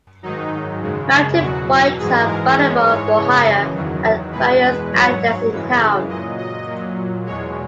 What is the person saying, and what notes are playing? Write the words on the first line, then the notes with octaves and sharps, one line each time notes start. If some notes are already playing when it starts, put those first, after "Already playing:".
Mountain bikes are available for hire at various outlets in town.
G#2 D#3 F#3 D#4
F#2 C#3 G#3
E2 B2 F#3 F#4
G#2 E3 G#3 G#4
A#4
G#2 E3 G#3 C#5
C#5
F#2 C#3 E3
E2 D#3 F#3
E2 B2 G#3 B4
B4
G#2 F#3 C#5
F#2 C#3 E3 G#3
A#2 F#3 D#5
D#5
A#2 F#3
E2 B2 G#3 C#5